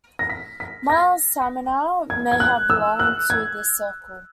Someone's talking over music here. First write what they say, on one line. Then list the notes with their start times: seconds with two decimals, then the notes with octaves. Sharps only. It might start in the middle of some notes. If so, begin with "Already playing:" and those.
Miles Symner may have belonged to this circle.
0.19 A#6
0.30 B6
0.60 B6
0.90 A#6
2.10 G#6
2.32 G#6
2.40 F#6
2.70 E6
2.99 F#6
3.30 G#6